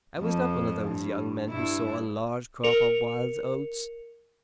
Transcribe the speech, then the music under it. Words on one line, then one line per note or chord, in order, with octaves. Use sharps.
I was not one of those young men who sow a large crop of wild oats.
F2 F3
G2
G2 E4
A#4 C#7 F7